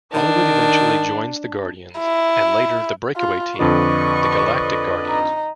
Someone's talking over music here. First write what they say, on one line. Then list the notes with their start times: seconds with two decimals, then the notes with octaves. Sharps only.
Hollywood eventually joins the Guardians, and later the "breakaway" team, the Galactic Guardians.
0.14 D#3 D4
1.99 E4
3.17 F4
3.59 F2 D3 F4 B4 D5 D#5 C#6
5.07 D#4